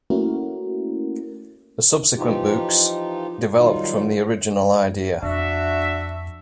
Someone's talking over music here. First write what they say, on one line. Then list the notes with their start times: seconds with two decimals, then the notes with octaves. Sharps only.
The subsequent books developed from the original idea.
0.10 A3 A#3 C#4 E4 F#4 A#4
2.16 E3 F3 D#4 F4 G4
3.57 D#3 F#3 G3 D#4 F4
5.23 F2 D4 F#4 E5